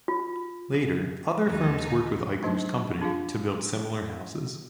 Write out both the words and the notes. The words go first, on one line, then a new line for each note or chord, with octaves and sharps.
Later, other firms worked with Eichler's company to build similar houses.
F4
D#2 D#4
F#3 A3 D4 D#4
D4 F4 G#4 F5